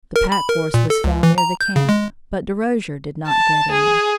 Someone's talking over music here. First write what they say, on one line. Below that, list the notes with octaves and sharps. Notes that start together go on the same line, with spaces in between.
The pack horse was found near the camp, but Derosier did not get in.
A#4
B5
A#4
A#2
A4
C#2
E3
A#5
G6
C#3
G#3
A5
G#4